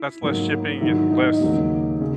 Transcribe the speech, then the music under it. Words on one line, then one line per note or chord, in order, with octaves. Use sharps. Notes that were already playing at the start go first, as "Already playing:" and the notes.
that's less shipping and less,
Already playing: E4
G#2 F#3 A#3
G#2 D#3 F#3 E4
D#4
D#2 C#3 F#3 A#3
C#3